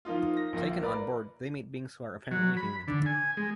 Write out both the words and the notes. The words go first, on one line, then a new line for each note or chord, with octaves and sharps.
Taken on board, they meet beings who are apparently human.
F3 A#3 D#4 F4
A#6
A#1 F3 A#3 E4
A#4 B4 D5 A#5 B5
F#3
B5
D3
G#5
G#3